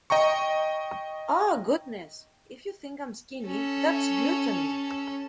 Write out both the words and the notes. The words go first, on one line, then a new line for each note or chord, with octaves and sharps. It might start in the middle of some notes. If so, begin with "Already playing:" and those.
Ah! Goodness! If you think I’m skinny... that’s gluttony!
D#5 G5 A#5 C#6
C#4 A4